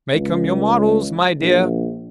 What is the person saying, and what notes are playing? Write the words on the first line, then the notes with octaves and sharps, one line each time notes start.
Make 'em your models, my dear.
C#2
A#1